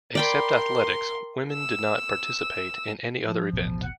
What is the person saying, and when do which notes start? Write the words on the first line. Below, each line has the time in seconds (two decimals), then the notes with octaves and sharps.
Except athletics, women did not participate in any other event.
0.15 A#4 D5 G5 B5 C6
1.52 E6
3.24 F3
3.53 D#1 A1 B2
3.83 F#5